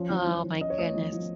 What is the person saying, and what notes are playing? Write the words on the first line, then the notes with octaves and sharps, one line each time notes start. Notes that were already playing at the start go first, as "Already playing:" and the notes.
Oh my goodness.
Already playing: F3 C#4
F3
F3
F3
C#4 D#5
C#5
A3 D#5
F3
F3